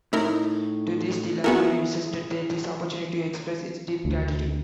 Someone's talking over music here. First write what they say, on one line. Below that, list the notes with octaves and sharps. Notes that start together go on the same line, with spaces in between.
To these the Library wishes to take this opportunity to express its deep gratitude.
A2 D#4 E4 A#4
B3 E4 F#4 G#4 A#4 E5
D2